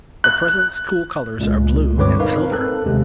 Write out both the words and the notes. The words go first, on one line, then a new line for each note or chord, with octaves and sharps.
The present school colors are blue and silver.
F#6
C#2 A#2 G#3
G2 D3 C4 B4 C#5 D6
D#4 A#4 B4 F5
C4 A4 F#6
D#2 C3 G#3